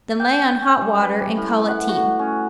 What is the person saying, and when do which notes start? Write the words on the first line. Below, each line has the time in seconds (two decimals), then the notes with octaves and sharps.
Then lay on hot water, and call it tea.
0.20 G5
0.61 C#4
0.81 G3
1.00 B4
1.20 G3
1.37 A2
1.69 F#5
1.89 F#4
2.19 C#4